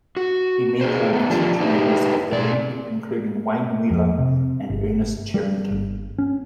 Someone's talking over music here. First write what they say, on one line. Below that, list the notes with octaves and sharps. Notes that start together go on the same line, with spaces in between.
He mentored future leaders of the league, including Wayne Wheeler and Ernest Cherrington.
F#4
G#4 B4 C5
A3 B3
F3 D4 F4 G4
D#4 E4 G4 B4
B2 D5
F2
C3
G1
G3
G1
C#4